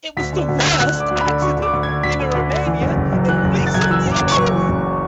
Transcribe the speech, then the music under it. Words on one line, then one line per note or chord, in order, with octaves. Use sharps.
It was the worst accident in Romania in recent years.
D2 B6
D3
D2
D3 G#6
E6
D2 F#6
D3
D6
D2
B5
D3
D2 C#6
D3 D6
D2
G#6
D3
D2 B6
D3
D2
D3
E3
F#1
F#1
F#2
E3 F#6
F#1
F#1
A6
F#2 G#6
F#6
E3 E6
F#1 D6
F#1
C#6
F#2
E3
F#1